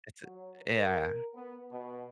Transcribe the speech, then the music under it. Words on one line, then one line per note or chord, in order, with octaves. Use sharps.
It's a yeah, yeah.
F#3
A#4
B3
B2